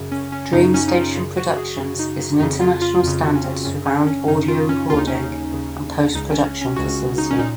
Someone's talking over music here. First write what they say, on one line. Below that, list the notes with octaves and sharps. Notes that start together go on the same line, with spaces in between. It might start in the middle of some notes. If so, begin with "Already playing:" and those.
Dream Station Productions is an international standard surround audio recording and post production facility.
Already playing: F#2 C#3
C#4
C#4
F#2 C#3 D#4
C#4
D#4
F4
F#2 C#3 F4
F#4
G#4
F#2 C#3
D#4
F2 C#3 D#4
F4
F4
F2 C#3
F#4
C#4
C4
F#2 C#3 C#4
C#4
C#4
F#2 C#3 D#4
F4
C#4
D#2 C#3 F4
D#4
C#4
D#4
D#2 C#3
C#2 C#3 D#4
C#4
C#4
C#4
C#2 C#3 F#4
D#4
C#4
A#2 D#4